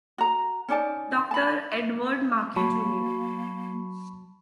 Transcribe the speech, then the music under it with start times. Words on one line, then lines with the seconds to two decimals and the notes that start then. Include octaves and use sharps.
Dr. Edward Maki Jr.
0.18 F#4 A#5
0.68 C#4 D#4 D5 A5
1.31 A5 B5
2.56 F#3 A#3 A5 B5 C#6